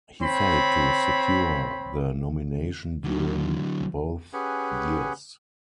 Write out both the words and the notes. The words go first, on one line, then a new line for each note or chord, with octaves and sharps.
He failed to secure the nomination during both years.
C4 C#5 B5
D3 F#3
C#4 G4 G#4 B4 F#5 G#5